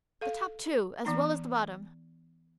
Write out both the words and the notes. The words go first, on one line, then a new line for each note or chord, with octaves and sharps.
The top too, as well as the bottom.
A4 F5
E3 B3 D#4 A#5